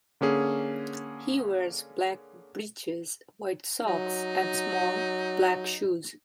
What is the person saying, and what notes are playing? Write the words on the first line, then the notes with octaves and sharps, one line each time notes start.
He wears black breeches, white socks and small, black shoes.
D3 A#3 C#4 G#4
F#3 D#4